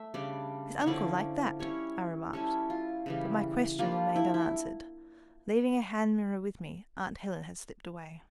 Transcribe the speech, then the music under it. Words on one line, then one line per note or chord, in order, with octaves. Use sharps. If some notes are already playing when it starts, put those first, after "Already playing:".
"Is uncle like that?" I remarked, but my question remained unanswered. Leaving a hand-mirror with me, aunt Helen had slipped away.
Already playing: A3 E5
C#3 G3 D4 D5
C#5
D3 F3 C#4 E4 D5
G3 C#4 E4 C#5
G3 C#4 E4 A4
F4
C#3 E3 G3
G3 A#3 D4 F4
E4
E4